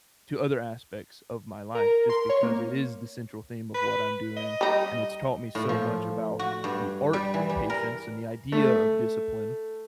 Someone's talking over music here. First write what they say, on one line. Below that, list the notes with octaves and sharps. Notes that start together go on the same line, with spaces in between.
to other aspects of my life, just because it is the central theme of what I'm doing, and it's taught me so much about the art of patience and the idea of discipline
A#4
C6
C#5
A#3
B4
D#5
G3 D#4
A2
F3
F#4
G2
G3
E3
G3
A#4
A3